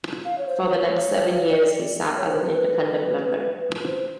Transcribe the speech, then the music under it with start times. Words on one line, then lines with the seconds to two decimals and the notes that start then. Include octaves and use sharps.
For the next seven years he sat as an independent member.
0.25 F5
0.38 C#5
0.47 C5
0.62 C5
0.70 C#5
1.51 D#5
1.60 D5
2.17 C#5
2.27 C5
2.39 B4
2.45 C5
2.50 B4
3.86 C5